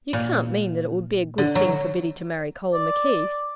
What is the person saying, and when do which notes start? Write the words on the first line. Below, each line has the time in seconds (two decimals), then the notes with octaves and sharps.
'You can't mean that it would be a good thing for Biddy to marry Colin McKeith?'
0.13 A#2
1.38 D3
1.55 F#3
2.74 D5